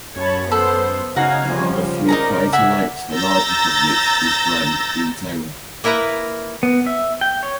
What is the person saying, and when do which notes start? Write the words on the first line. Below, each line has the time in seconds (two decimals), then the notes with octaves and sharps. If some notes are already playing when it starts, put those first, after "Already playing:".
There are a few crater lakes, the largest of which is Grand Etang.
0.16 F#2 C#5 A5 B5
0.52 B3 A4 C5
1.16 C#3 D#4 F#4 F5 G#5 A#5
1.52 F3 G3
2.08 D#4 G#4 A#4 D5 A#5
2.53 E5 F#5 G#5
3.14 A#5 E6 G6 A6 A#6
5.84 A#3 E4 A#4 B4 A#5
6.63 B3
6.87 E5
7.21 G5
7.43 C#5